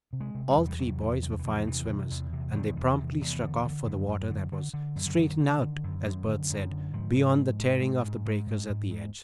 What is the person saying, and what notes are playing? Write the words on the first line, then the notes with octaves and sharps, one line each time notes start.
All three boys were fine swimmers, and they promptly struck off for the water that was "straightened out," as Bert said, beyond the tearing of the breakers at the edge.
C3
G#3
C3
G3
E2
G3
C3 F#3
E2
C3 F#3
F3
E3
E2 F3
C3 E3
C3
E2
C3
E2 D#3
E2
C3
E2
D3
D3
F#2
F#2
D3
D3
D3
F#2
D3
D3 D#3
D3
D3
F#2
F#2
D3
F#2
D3
G#2 F3
G#2
G#2
G#2
G#2 G#3
G#2
G#2
G#2
G#2
G#2